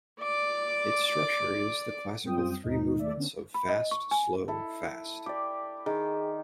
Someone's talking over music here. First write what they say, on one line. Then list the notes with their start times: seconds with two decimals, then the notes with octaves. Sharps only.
Its structure is the classical three movements of fast-slow-fast.
0.22 D5 D6
2.23 F#2 G3 C4 F4 G5 D#6
2.63 D#2 G#2 B2 D#4
2.99 D#2 A3 D5 E5
3.17 D3 B3 C#4 D4
3.54 B5
3.69 D#5
3.91 C#6
4.11 G#5
4.48 E4 A4
5.26 G4 D5 D6
5.86 D#3 G#4